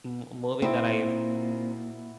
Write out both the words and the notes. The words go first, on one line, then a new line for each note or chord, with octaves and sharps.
m movie that I've
A#2 C4 D#4 E4 F#4